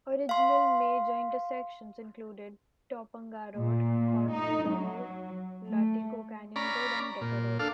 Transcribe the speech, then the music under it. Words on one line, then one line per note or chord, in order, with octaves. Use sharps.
Original major intersections included Topanga Road, Cornell Road, Latigo Canyon Road, and Decker Road.
F5 C6
A#2
D#4
F#3
A3
C#4 D5 A#5 B5
A#2
D4 A4 F5